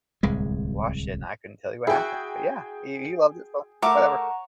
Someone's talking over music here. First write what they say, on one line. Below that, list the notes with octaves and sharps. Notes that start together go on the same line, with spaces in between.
"Watched it, and I couldn't tell you what happened. But, yeah, you you loved it, so whatever."
D1 C2 G#3
E4 F#4 G#4 G5
A3 A#4 C#5 F#5 A#5 D6